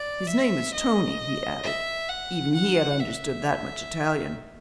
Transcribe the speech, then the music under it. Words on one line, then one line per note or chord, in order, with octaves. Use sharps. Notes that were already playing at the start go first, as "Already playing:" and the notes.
'His name is Tony,' he added--even he had understood that much Italian.
Already playing: D5
E5
D#5
E5
F#5
F#5
E5